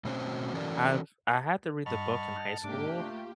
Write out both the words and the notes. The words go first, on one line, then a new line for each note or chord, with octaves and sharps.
I've I had to read the book in high school,
B2 A3 C4 C#4 F#4 C5
E3 C#4 F#4 A4 A#4 D5
G2 D#5 F#5 A5 B5 C#6 F6
G#2 C3 A#3 D4 G4 D6
A3 F4